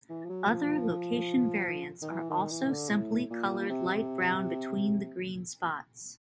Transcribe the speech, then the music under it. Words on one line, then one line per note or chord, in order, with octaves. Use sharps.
Other location variants are also simply colored light brown between the green spots.
E3
F3
F#3
F3
D#3
E3
D#3
E3
D3
A2
A#2
C3